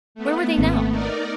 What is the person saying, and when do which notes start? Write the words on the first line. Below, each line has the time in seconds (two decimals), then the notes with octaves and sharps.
Where were they now?
0.15 A3 B3
0.58 G#1 A#3 C4
0.89 D#4 A#4 D5